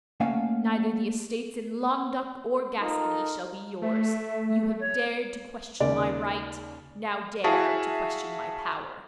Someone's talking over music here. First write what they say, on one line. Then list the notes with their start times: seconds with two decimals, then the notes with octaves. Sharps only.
Neither the estates in Languedoc, or Gascony, shall be yours; you have dared to question my right,--now dare to question my power.
0.20 A3 A#3 C#4 F5 F#5 G#5
2.81 D#4 F4 A4 A#4
3.82 A3 E5
4.80 C#5
5.80 D#2 C#3 D5
7.44 E4 F#4 G#4 E5 F5 A5